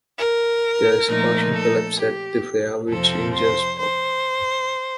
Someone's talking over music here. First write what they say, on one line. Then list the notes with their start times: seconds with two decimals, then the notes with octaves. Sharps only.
There is a partial collapse at the fair which injures Pop.
0.18 A#4
1.08 A#2 F3 A3 D#4
1.53 A4
1.99 G4
2.89 F2 C3 F3 C4 A4
3.34 C5
3.79 C5